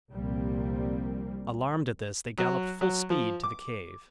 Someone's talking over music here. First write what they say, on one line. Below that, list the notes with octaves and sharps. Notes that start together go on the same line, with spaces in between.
Alarmed at this, they galloped full speed to the cave.
C2 A#2 F3 G3 A#3 C4
F#3
F#3
F3
D6